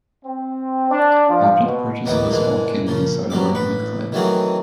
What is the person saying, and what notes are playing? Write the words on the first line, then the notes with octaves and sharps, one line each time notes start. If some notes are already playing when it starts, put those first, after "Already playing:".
After the purchase of a small kiln they started working with clay.
C4
D4
F3
B2
A1 D#2 E3 B3 D#4 G5
A#2 D3 E3 G#3
A#2 C#3 F3
G2 F#3 G3 D6
A1 B4
D#3 E3 F#3 A3 C4 G#4